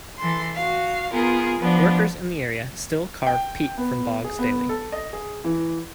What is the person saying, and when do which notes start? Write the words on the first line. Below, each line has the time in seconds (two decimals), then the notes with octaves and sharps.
Workers in the area still carve peat from bogs daily.
0.18 E3 A4 C6
0.55 F#4 F5
1.11 B3 F4 G#4 A#4
1.58 F3 B3 D4
3.27 G5
3.78 B3
4.24 G#4
4.39 B3
4.69 A4
4.92 D#5
5.13 G#4
5.44 E3